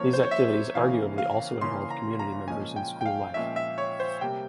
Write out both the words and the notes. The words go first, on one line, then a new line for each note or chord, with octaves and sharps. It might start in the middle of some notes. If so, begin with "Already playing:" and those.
These activities arguably also involve community members in school life.
Already playing: F3 A#3 C#4 C5 C#5
C5
C#5
E5
C#3 E3 A#3 C#4 F5
F5
C#3 E3 A#3 C#4 C6
A#5
A#5
A#2 F3 G#3 C#4 G#5
G5
G5
F5
A#2 F3 G#3 C#4 E5
E5
C#5
C5
C3 G3 A#3 G5